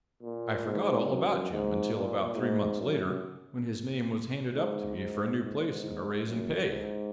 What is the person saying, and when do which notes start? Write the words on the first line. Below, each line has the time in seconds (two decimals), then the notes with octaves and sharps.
I forgot all about Jim until about three months later, when his name was handed up to me for a new place and a raise in pay.
0.23 A#2
0.66 G#2
1.08 F#2
1.51 G#2
1.95 A#2
2.37 G#2
2.81 F#2
4.53 G#2
4.96 G#2
5.40 G#2
6.25 F#2
6.68 G#2